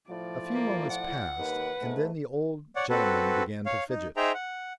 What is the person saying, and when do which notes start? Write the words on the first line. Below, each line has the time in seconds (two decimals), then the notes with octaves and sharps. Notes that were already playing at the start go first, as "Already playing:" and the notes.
A few moments passed, and then the old gentleman began to fidget.
0.10 A2 F3 F4 D5
0.54 A#3
0.90 F#5
1.39 D#2 B4
1.82 G#2 A3
2.76 C#5 D5 F#5
2.90 C4 F#4 A4 B4
3.66 C#5 F5
3.90 D#4
4.17 D#4 G#4 C5 E5 G5 A#5
4.34 F#5